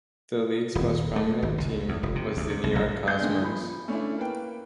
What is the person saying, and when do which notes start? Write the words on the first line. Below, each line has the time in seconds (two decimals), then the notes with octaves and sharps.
The league's most prominent team was the New York Cosmos.
0.75 D#1
1.16 A3
1.42 G#1
1.58 C#2
1.89 E2
2.03 F1
2.15 C3
2.37 D2
2.50 C3
2.64 C2
2.76 A1
3.07 G#3 G6
3.21 D3 D#3 G#3 A3
3.42 F3 B5
3.88 A3 C#4 D4 E4
4.18 A#3 B4 G5